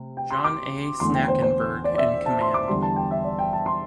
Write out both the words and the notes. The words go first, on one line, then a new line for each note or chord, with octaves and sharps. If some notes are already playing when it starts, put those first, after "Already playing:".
John A. Snackenberg in command.
Already playing: C3 A3
G5
C6
D6
E2 D3 A3 C6
G5
C5
C5
D5
D5
E5
A5
C6
D6
E2 D3 G3 C6
A5
G5
E5
D5
G5
A5
C6